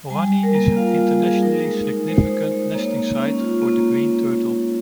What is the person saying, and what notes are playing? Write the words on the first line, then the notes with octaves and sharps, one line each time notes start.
Hoani is an internationally significant nesting site for the Green turtle.
G3 G#5
G#5
G3
A#4
A#3
F4 F5
G3
G3 G#4
D#4 A#4
G#3
D#4
G#3 C5
D#4
G#3
A#3 C#5
A#3
C#4
F4
A#3